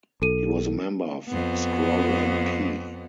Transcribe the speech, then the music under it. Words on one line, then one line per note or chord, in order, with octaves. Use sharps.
He was a member of Scroll and Key.
B1 A4 D#7
F2 B3